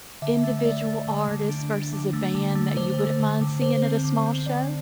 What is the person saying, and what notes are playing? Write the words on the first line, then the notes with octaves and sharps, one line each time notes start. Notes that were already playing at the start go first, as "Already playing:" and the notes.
individual artist versus a band that you wouldn't mind seeing at a small show?
D3 E5
A3
E5
A3 D5
A3
D3
D3
D4
D4
D3
A3
D3
A3
D3 C5
A3
D3
D3
D3 C5
C4
D3
C4
D3 D5